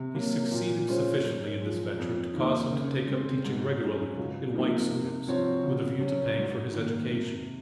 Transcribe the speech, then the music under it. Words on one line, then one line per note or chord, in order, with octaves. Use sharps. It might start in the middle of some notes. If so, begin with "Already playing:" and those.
He succeeded sufficiently in this venture, to cause him to take up teaching regularly, in white schools, with a view to paying for his education.
Already playing: C3
F#3 A#3
A#2
G#3 C#4 F4 C5
F#2
F3 G#3
F2
D#3 A#3 D#4
C#3
G#3 C4
G#2
F#3 C#4 G#4
C#2
C3 F3 A#3 D#4
C3
F3 C4 F#4 C#5
C#3
F#3 C#4
G#2
D#3 A#3
C3